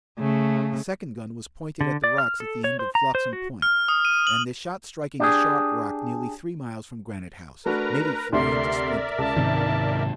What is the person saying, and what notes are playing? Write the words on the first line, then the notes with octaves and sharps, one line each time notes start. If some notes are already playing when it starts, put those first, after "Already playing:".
The second gun was pointed at the rocks at the end of Flotsam Point, and the shot striking a sharp rock nearly three miles from Granite House, made it fly into splinters.
C#3 A3
D3
D5
F6
A4
C#5
C5
A#5
C5
F#4
F6
D#6
D#7
F#7
D4 G4 G#4
A3 D4 F#4 A#4 B4 A#5
D2 C3 A3 A#4 D5 E5 C6
C#2 A5
G#2 C3 D#3